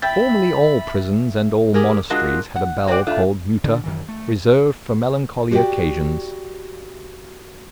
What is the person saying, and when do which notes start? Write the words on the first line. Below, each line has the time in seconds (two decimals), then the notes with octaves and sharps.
Formerly all prisons and all monasteries had a bell called Muta, reserved for melancholy occasions.
0.02 E5 G5 B5 A6
1.74 G4 G#4 A#4
2.10 G#3 D4 F4 F#4 G#4 A#4
2.56 F#5
2.87 A#3 C4 F4 F#4 D5
3.07 A3 D4 F4
3.64 D3 D4
3.84 F#2 D#3 E3
4.08 A3
5.51 F#4 G4 B4 D5 G5